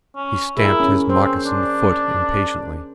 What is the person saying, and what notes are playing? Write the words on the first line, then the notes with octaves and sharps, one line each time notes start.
He stamped his moccasined foot impatiently.
C#4
E4 G#4 A#4
C#4
C4 C5
D4